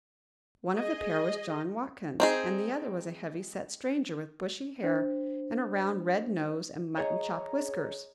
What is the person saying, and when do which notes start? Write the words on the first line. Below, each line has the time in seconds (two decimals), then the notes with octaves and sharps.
One of the pair was John Watkins, and the other was a heavy-set stranger, with bushy hair and a round, red nose and mutton-chop whiskers.
0.73 G#4 D#5
2.20 C4 D#4 G#4
4.83 D4 C5
6.95 G#4 C#5 D#5 A#5